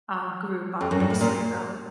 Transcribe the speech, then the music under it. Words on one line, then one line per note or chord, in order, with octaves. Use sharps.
uh, group, obviously, though.
F2
F#2
G2
A2
A#2